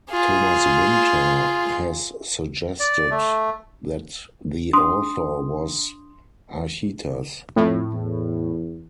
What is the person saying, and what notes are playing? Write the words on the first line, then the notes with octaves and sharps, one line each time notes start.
Thomas Winter has suggested that the author was Archytas.
F4 G#4
D5
A3
D4 C6 D#6
F2 A2
E2